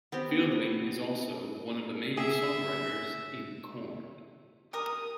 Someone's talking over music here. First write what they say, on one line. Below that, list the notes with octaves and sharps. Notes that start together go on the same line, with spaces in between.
Fieldy is also one of the main songwriters in Korn.
B3 C4 G4
G#4 E5
G4 A#4 D#6